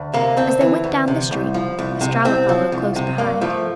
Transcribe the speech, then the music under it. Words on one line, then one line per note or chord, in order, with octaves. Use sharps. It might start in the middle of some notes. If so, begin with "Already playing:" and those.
As they went down the street Estralla followed close behind.
Already playing: D2
C3 A#3
D2 C4
E3
D2
C3
C2
F3
C2
C3
C2 C4
F3
C2
C3
G2 A#3
F3 A3